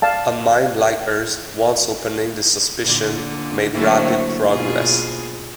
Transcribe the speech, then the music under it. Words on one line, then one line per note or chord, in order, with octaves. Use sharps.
A mind like hers, once opening to suspicion, made rapid progress.
D5 F5 A5
A#2 D3 D4
D3 F#3 A3 A#3 C4 E4
B2 F4 G#4